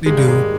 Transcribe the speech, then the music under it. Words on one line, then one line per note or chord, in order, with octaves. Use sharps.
They do.
G#2 D#3 G#3 A#3 D#4 G4
G3
G#3